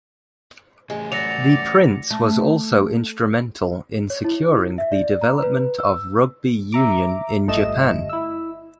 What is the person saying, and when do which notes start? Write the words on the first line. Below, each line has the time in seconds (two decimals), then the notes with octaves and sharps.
The prince was also instrumental in securing the development of rugby union in Japan.
0.90 E2 A2 G#3
1.12 F#3 D5 A#6 C#7 F7
2.11 A3
4.10 C#5
4.24 E4
4.78 E5
4.92 D5
5.21 A#5
5.42 B4
5.78 E6
6.72 E5 A#5 D6
7.48 G1 A3 D#5 E7
8.09 E4 E6